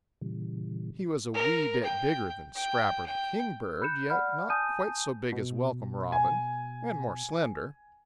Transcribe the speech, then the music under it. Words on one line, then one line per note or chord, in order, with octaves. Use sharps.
He was a wee bit bigger than Scrapper the Kingbird, yet not quite so big as Welcome Robin, and more slender.
A#2 C#3 E3 G3
A#4
G5
G5
G5
B5 F#6 G6 C#7 E7
D5 F#5 B5 F6
G#5 A5 D#6 G6 D#7
B2
G#5